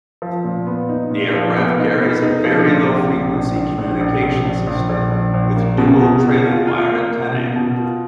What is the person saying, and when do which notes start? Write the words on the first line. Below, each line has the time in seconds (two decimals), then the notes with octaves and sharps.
The aircraft carries a very low frequency communication system with dual trailing wire antennae.
0.22 F3
0.44 A#2
0.67 B3
0.89 D#4
1.11 A#2
1.34 F3
1.56 B3
1.78 D#4
2.00 B3
2.23 D#4
2.44 F3
2.67 A#2
2.89 A#1
3.11 A#1
3.34 A#1
3.56 A#1
3.78 A#1
4.00 A#1
4.22 A#1
4.45 A#1
4.67 A#1
4.89 A#1
5.11 A#1
5.34 A#1
5.56 A#3
5.78 B2
6.00 B2
6.23 B2
6.45 F4
6.67 F4
6.90 A#3
7.11 A#3
7.34 B2
7.56 B2
7.79 F4